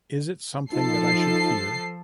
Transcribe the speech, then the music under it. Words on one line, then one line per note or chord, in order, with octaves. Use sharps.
Is it something that I should fear?
F3 D#4 F4 A4 C7